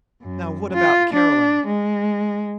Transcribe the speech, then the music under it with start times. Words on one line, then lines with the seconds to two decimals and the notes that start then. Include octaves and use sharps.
Now what about Caroline?
0.22 F#2
0.73 F4
1.13 D4
1.66 G#3